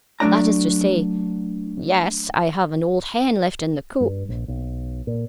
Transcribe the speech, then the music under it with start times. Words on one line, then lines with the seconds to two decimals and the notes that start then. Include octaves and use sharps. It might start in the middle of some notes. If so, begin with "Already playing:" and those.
That is to say--yes--I have an old hen left in the coop.
0.20 F#3 A3 C4 D4 D5 A#5
4.00 G2
4.29 A#1
4.48 B1
5.07 A#2